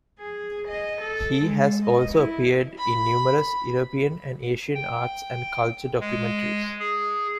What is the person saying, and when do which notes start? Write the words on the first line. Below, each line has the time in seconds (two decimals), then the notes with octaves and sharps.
He has also appeared in numerous European and Asian arts and culture documentaries.
0.19 G#4
0.67 D#5
1.00 A4
1.44 G#3
1.83 D#5
2.12 E4
2.78 B5
4.75 G5
6.00 G#3
6.80 G#4